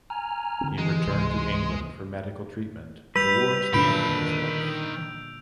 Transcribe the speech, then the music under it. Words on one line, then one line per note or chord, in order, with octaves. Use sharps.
He returned to England for medical treatment towards the end of his life.
G#5 A#5 F6
D3 C4
E3 G#3
C#2 C3 E3 C6
G3 B4 E6 G6 F7
A#2 D3 D#3 D4 B5 G6 D7